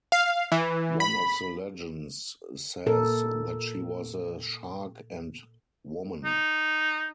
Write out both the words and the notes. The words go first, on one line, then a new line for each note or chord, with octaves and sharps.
One of the legends says that she was a shark and woman.
F5
E3
B5
A#2 A4 A#4
D#4